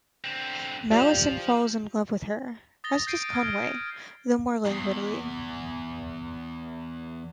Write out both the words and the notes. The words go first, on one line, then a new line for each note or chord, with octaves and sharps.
Mallinson falls in love with her, as does Conway, though more languidly.
D3 C4
F3 F4 G4 D5
D#6 A6 A#6 G7
G6 C7 D7 D#7
F6 G#6 D7
E2 G#2